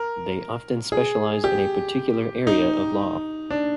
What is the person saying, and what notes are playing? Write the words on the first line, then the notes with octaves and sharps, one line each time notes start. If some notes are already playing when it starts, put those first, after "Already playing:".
They often specialise in a particular area of law.
Already playing: A#4
G#4
G4
D#4
D4